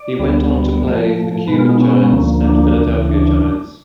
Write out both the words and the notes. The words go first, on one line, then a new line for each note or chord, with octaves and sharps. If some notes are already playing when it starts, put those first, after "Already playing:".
He went on to play for the Cuban Giants and Philadelphia Giants.
Already playing: D5
D2 D3 G3 B3
A2 F3 A3
B2 G#3 B3 B4
F4
D#4
C#4
D2 D3 F3 A#3
D4
D2 C#3 E3
D4